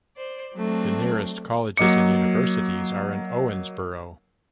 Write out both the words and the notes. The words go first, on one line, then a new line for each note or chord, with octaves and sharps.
The nearest colleges and universities are in Owensboro.
C5 D5
F#3 A3 C4 D4
F#3 A#3 D#5 D6 C#7